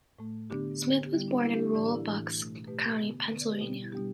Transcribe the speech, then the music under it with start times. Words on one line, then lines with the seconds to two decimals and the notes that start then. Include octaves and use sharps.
Smith was born in rural Bucks County, Pennsylvania.
0.19 A2 A3
0.50 D3 B3 D4 G4
0.81 D3 B3
1.06 G4
1.13 D3 G3 B3 E4
1.28 D4
1.43 D3 G3 B3 E4
1.53 D4 G4
1.74 A2 E3 A3 A4 D5
1.85 D4 G4
1.95 E4
2.06 A2 E3 A3 D4
2.37 B2 A3
2.67 B2 A3 G4 B4
3.00 D3 B3
3.30 D3 B3 B4
3.41 D5
3.51 G4 B4
3.61 B2 G3 B3
3.83 E4
3.92 B2 G3 B3 D4 G4